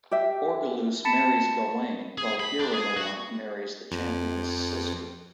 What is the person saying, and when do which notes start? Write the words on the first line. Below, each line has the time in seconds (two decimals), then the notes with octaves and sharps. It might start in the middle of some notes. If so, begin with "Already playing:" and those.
Orgeluse marries Gawain while Guiromelant marries the champion's sister.
0.11 G4 E5
1.05 A5 B5 A6 B6 C#7 E7
2.18 G#4
2.40 B5
2.59 D4
2.74 G#4
2.97 F#4
3.92 F2